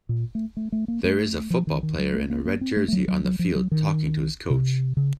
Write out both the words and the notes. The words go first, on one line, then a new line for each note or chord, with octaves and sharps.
There is a football player in a red jersey on the field talking to his coach.
A#2
A3
A3
A3
A#3
A3
F3
D#3
D#3
F#3
A3
A#3
A#3
C4
A3
A3
F#3
F#3
F#3
F3
F#3
D#3
C3
C#3